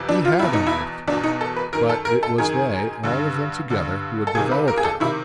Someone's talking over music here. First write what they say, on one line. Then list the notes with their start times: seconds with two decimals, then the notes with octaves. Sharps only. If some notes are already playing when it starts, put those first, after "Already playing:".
He HAD unearthed her, but it was they, all of them together, who had developed her.
Already playing: F2 C3 E3
0.09 D4
0.25 F4
0.39 E2 B2 E4
0.53 D#4
0.67 E4
1.08 E2 D4
1.12 B2
1.24 D#4
1.41 A4
1.56 B4
1.73 F#2 D#3 A#4
1.89 A4
2.05 A#4
2.23 A4
2.38 F#2 D#3 G#4
3.03 G2 D3
3.70 G2 D3
4.27 A4
4.35 C#2 C3 D#3 G#4
4.52 B4
4.68 A#4
4.78 G#4
4.84 A4
5.00 C3 D#3 E4